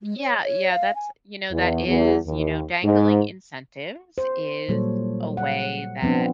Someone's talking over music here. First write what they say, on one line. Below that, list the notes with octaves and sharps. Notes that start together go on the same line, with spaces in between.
Yeah. Yeah, that's you know, that is you know, dangling incentives is a way that
G#3
C#5
C#5
F5
G#5
E2
E2
D#2
G#2
C5
A#2 F#3 G3 A4 C#5
F#5
F3 B3 C4 D4